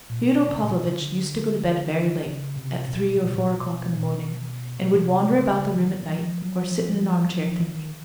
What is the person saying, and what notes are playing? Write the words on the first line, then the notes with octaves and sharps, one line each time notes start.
Fyodor Pavlovitch used to go to bed very late, at three or four o'clock in the morning, and would wander about the room at night or sit in an arm-chair, thinking.
A#2
B2
C#3
A#2
B2
C3
C#3
D3
C#3
C3
B2
C3
B2
A#2
B2
B2
A#2
B2
B2
C3
C3
C#3
E3
D#3
E3
F3
F#3
F3
F#3
F3
F3
D#3